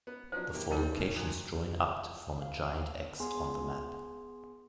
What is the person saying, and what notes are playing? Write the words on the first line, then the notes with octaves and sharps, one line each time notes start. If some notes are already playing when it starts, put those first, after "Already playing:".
The four locations join up to form a giant X on the map.
B3
F3 F#3 D4 C5
E3 A#3 G4
G3 D#4 A#4
C#3
F2 F#3 G#5
F5
B3 G#4 G#5 C6